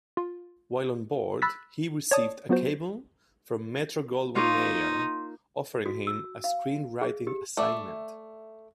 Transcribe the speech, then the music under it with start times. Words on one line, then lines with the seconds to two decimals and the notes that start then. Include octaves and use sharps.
While on board, he received a cable from Metro-Goldwyn-Mayer offering him a screenwriting assignment.
0.17 F4
1.42 B5 E6 F#6 A6 B6
2.11 C#5 D5 A5 D#6
2.49 F#3 B3 F4 F#4 C5
4.35 A#3 D#4 F4 C#5 C6
5.86 F#4
6.07 E6
6.44 F5
7.01 G#4
7.27 G4
7.57 A3 D5 E5